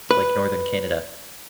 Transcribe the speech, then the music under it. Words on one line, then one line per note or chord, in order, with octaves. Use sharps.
like, Northern Canada,
B4